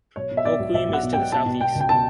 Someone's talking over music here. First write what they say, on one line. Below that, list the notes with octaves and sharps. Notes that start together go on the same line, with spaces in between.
Hoquiam is to the southeast.
B1 C#5
B2
E5
B2 D5
B1
B1 E5
B1 F#5
B2
B1 G5
B2 A5
B2
B2 G5
C#2
G5
B2 A5